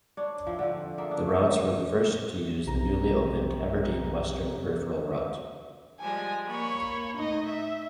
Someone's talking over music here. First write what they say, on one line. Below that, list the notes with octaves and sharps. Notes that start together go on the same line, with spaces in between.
The routes were the first to use the newly opened Aberdeen Western Peripheral Route.
D4 C#5
F3 C4 E4
D3 F3
A#3 G#4 A4 E5
D4
B1 C3 G4 A#5
F3 G3 G#3 G#5
A#3 C#5 G#5 B5 C#6
A2 D#4 D#5
E5